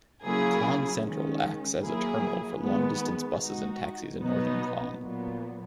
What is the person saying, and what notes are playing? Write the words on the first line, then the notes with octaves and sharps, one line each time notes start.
Klang Sentral acts as a terminal for long-distance buses and taxis in northern Klang.
C#3 F#3 A#3 E4 G#4
D#3 G#3 C#4
F#3 A#3 E4 G#4
D#3 G#3 B3
G#3 D#4 F#4
B2 F#3 B3 D#4
A#2 F#3 B3